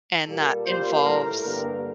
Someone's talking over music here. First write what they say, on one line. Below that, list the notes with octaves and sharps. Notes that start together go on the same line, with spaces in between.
and that involves
A#2 G3 A#3 A4
A#2 G3 A#3 C5
A2 A3 A#4
G2 D3 G3 A#3 A#4